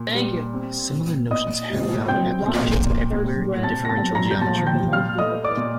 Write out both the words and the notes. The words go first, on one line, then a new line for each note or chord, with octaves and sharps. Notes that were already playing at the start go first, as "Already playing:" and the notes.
Similar notions have found applications everywhere in differential geometry.
Already playing: A#2
G3
C4
A#2
A#2 D#5 D#6
G3
C4 G5 G6
A#2
A#2
G3
C4 A5 A6
A#6
A5 A6
A#2
A#5 A#6
G6
A#2 A5 A6
G5 G6
G3
F5 F6
A3 D#5 D#6
D5 D6
A#2